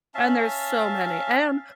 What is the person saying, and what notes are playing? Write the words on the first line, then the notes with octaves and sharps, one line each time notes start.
and there's so many, and
C#4 E5 F5 A5